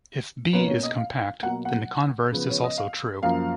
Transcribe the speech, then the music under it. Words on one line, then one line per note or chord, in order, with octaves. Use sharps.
If "B" is compact, then the converse is also true.
B2 A#3 C#4 B4
C#5
D#5
F5
F5
B2 F#3 A#3 F#5
F#5
C#3 F3 B3
C#5
D#5
F5
F#2 F3 A#3 F5